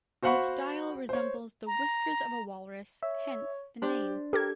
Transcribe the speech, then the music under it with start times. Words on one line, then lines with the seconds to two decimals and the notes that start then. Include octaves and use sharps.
The style resembles the whiskers of a walrus, hence the name.
0.22 F#4 C5 F5 F#5 B5 C#6
1.09 C5 C#5
1.67 A#5
3.03 C#5 E5
3.82 D4 G4 C5
4.33 G4 A4 A#4 G#6